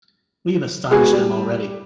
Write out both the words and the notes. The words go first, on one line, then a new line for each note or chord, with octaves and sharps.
We have astonished them already.
G#3 B3 F#4 G#4
G3